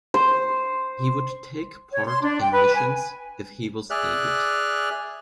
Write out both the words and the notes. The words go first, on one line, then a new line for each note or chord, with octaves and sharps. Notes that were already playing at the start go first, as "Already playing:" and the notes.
He would take part in missions if he was needed.
C5
C#5
C6
D4
G5
B4
G#5
G#4 D5 E5 F6 F#6